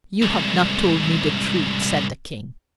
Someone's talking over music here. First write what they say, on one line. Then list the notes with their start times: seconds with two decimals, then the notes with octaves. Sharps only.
"You have not told me the truth," said the King.
0.22 C2 G#2